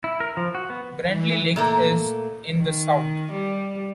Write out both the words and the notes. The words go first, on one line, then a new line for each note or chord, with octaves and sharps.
Bradley Lake is in the south.
E4
A#4
F3
F#4
B3
E3
A#2 A3 A#3
D#3
G3